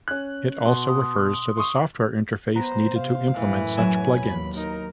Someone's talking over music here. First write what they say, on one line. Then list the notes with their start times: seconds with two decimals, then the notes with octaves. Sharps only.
It also refers to the software interface needed to implement such plugins.
0.08 C#4 F#6
0.66 B2 C6
0.88 D#6
1.57 C6 C#6 D#6
2.56 B3 C5 A#5
2.96 C3 F5
3.34 F#2 A2 E3
3.77 F#3 G#5 E7
4.17 D#2 B5
4.57 D#4 A#4